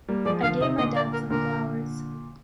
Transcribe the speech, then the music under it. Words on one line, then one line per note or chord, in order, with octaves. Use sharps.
I gave my dad some flowers.
G3 A#3
F3 G#3 D5
D3 F3 F5
C3 D#3 D#5
A#2 D3 D#5
D5
A#4
A#2 D3 A#4